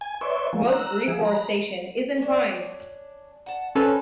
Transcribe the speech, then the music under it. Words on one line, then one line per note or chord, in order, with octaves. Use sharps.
Most reforestation is in pines.
G#5
B4 C#5 D5 E5 C6 C#6
F3 G#3 A#3
A#5 E6 F#6
F3 G#4 E5
A#5 B5
C#4 D4
F#5 A5
A#2 C4 C#4 A4 B4